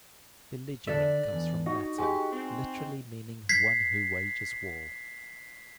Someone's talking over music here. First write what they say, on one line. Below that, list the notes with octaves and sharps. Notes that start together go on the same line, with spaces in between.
Belligerent comes from Latin, literally meaning "one who wages war".
D3 D4 A4 D5 E5
E2
D#4 F#4 D#5
G#3 F#4 G4
C4
G#6 B6 C7